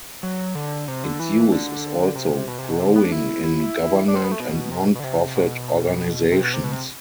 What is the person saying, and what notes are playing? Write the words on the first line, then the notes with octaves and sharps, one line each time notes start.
Its use is also growing in government and non-profit organisations.
F#3
D3
C3
D3
E3
D3
C3
B2
C3
B2
C3
D3
B3
D4
E4
E4
D4
C4
B3
A3
B2
C3
B2
B2
D3
C3
B2
C3
B2
C3
B2
C3